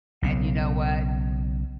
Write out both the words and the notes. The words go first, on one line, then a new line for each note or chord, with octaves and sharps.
and you know what?
B1 C#3